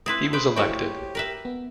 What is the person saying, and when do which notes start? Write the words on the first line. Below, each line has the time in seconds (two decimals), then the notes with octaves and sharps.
He was elected.
0.06 C4 E4 B4 C6 D#6
0.33 B4 C5 G5 B5
0.56 A3 E4 F#4 G4 C5 C#5 G5
1.15 A#4 B4 E5
1.45 B3